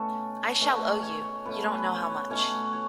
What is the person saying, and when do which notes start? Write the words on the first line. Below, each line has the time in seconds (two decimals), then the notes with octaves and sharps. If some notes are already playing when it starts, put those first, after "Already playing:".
I shall owe you, you don't know how much.
Already playing: B2 A3 C#4 A4
0.61 B2 A3 C#4
1.03 C#5
1.45 B2 A3 C#4 B4
1.74 B4
2.02 C#5
2.30 B2 A3 C#4 C#5
2.73 C#5